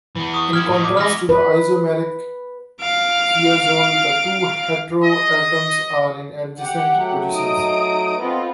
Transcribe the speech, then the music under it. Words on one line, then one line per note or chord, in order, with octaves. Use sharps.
In contrast to the isomeric thiazole, the two heteroatoms are in adjacent positions.
E3 B3
C#6 D#6
E4 G4 F6 G#6 D7
A2 D#4
D6
E3 B3 F6 A#6
B4
F5 D7
D#5
G4 F#5
F#3 A3
D#4 D#6 D7
B3 C4 F4 A4 D#5